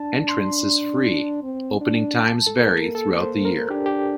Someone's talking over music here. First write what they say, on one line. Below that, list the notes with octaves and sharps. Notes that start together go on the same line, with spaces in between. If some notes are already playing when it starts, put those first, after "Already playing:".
Entrance is free, opening times vary throughout the year.
Already playing: D4 A5
C6
C4
D4
A5
A4
A#3 A#4
A4
C5
A#4
D4 G4
G4